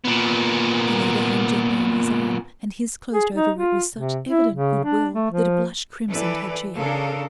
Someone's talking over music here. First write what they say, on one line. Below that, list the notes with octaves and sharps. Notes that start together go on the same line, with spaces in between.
She laid her hand gently on his arm, and his closed over it with such evident good-will that a blush crimsoned her cheek.
A#2 B3
G#4
D#4
F4
C3
E4
C#3
D4
A3
F3
E3 A4 B4 D5
C#3 D4 A4 A#4 F5